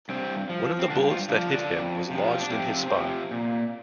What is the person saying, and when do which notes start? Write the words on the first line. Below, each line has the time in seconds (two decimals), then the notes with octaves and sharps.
One of the bullets that hit him was lodged in his spine.
0.09 G2 C3 C4
0.49 F3
0.79 C4
0.90 G2 D3 D4
1.10 F3 F4
1.30 D3 F3 D4
1.50 D3 D4
1.70 F2
2.10 C3 F3
2.30 F4
2.40 D4
2.50 F2 C3 C4
2.90 C3 F3
3.31 A#2